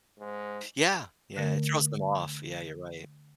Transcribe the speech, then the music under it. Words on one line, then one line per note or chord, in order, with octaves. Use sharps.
Yeah, yeah. It throws them off. Yeah, you're right.
G#2
D3 A3 A#4